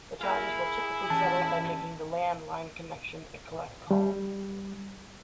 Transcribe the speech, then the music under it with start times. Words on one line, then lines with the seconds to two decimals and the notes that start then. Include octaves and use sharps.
The charges were typically settled by making the landline connection a collect call.
0.21 E4 G#4 A#4 F5
1.10 E3 C#4 G4 A5
3.91 G3